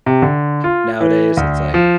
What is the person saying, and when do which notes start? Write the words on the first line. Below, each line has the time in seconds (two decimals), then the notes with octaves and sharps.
nowadays it's like
0.06 C3
0.22 D3
0.64 F4
1.01 E3
1.37 D2
1.74 F3